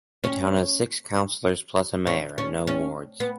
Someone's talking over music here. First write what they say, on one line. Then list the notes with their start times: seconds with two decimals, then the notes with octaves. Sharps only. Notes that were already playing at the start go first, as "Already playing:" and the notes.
The town has six councillors plus a mayor, and no wards.
0.24 C#4
2.07 C#4
2.38 C#4
2.67 C#4
3.20 B3